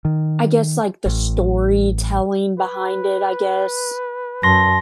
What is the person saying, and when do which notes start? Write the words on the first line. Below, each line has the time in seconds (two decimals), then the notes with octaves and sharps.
I guess, like, the storytelling behind it, I guess.
0.05 D#3
1.06 A1
2.59 B4
4.43 F#2 A5 C6 A#6